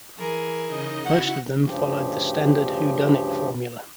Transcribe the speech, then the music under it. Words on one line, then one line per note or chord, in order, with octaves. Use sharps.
Most of them followed the standard whodunit formula.
E3 G#4 A#4
C#3 D#4 D#5
E4 F#4 F#5
D2 G2 C#3 F3 G4